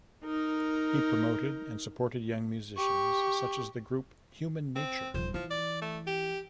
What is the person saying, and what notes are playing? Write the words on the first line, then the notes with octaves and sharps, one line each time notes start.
He promoted and supported young musicians, such as the group Human Nature.
D#4 A#4
G4 C#6
C4
D#1 F3 C5
E3 F3
D5
A3
G4